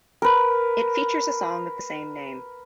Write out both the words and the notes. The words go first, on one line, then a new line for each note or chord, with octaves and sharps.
It features a song of the same name.
A#4 B4